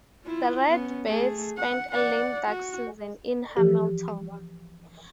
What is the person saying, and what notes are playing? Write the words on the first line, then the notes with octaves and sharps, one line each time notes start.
The Redbirds spent a lame duck season in Hamilton.
E4 F4
B3 C#4
A3 G#4
F#5
D5 F#5
F#4
E3 F3 G4